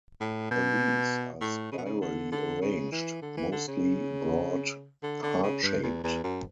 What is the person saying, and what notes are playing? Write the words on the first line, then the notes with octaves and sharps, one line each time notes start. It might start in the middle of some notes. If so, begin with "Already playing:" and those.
The leaves are spirally arranged, mostly broad heart-shaped.
A2
B2
A2
C#3
B2
C#3
D3
D3
C#3
E3
D3
E3
D3
C#3
D3
D3
C#3
G2
E2
E2
F#2